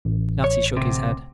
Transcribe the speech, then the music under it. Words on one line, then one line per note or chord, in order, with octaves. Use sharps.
Natty shook his head.
A1
C#5
D2 C3